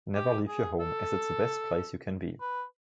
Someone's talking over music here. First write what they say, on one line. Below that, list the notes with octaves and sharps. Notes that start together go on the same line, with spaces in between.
Never leave your home, as it’s the best place you can be.
G4
G#4
A4
B4